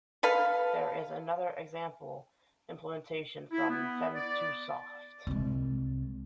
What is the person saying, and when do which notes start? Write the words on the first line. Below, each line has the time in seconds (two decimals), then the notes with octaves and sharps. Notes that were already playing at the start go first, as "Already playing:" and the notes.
There is another example implementation from Femtosoft.
0.23 A4 B4 F5
3.51 E4
3.69 B3
4.15 D5
5.27 C2 G#3